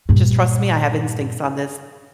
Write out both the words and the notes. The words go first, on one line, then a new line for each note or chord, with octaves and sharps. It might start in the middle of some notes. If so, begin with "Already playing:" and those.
"Just trust me. I have instincts on this
G2 A#2